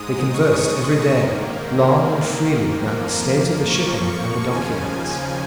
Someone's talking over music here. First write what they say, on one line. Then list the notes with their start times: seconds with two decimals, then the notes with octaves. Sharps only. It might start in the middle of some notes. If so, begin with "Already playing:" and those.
They conversed every day long and freely about the state of the shipping and the dock-yards.
Already playing: G#2 G#3 D#6
0.34 C#6
1.18 G#2 D#3 A#3
2.85 F2 F3 A#3
3.70 C#6
4.11 C#6
4.52 D#2 C#3 F3 G#5